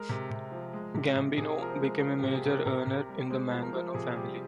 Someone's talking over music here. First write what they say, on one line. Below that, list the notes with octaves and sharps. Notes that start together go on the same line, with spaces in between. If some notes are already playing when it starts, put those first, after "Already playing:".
Gambino became a major earner in the Mangano family.
Already playing: G#3 A#4
C3
C3
F3
G#3
C3
C3
C3 G#4
F3 A#4
C5
G#3
F3 A#4
C3 G4
G#4
C3
A#4
C3 A#4
C3
G3
G#3 C5
F3
A#4
F3
C3 G#4
G3 G4